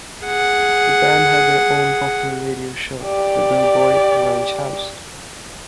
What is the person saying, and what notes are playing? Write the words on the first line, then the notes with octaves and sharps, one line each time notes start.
The band had their own popular radio show, The Bill Boyd Ranch House.
G#4 F#5
G4 D5